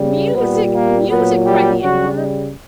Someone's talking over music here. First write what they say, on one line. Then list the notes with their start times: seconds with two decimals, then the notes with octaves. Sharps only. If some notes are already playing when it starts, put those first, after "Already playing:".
"Music! music!" cried the Emperor.
Already playing: C#3 G3
0.35 A#2 G3 B3
0.72 A#3
1.08 A#2 F#3 B3
1.45 G3 G4
1.80 C#3 F#3 G3 F#4